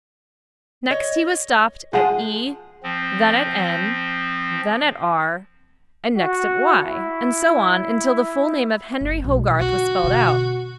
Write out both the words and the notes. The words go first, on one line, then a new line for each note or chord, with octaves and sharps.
Next he was stopped at E, then at N, then at R, and next at Y; and so on, till the full name of Henry Hogarth was spelled out.
C#5 D#5
F3 G#3 F4 G#4 F#5
F3 C4
F#4
E4
F#1
B1
D3 F#4
B2 D3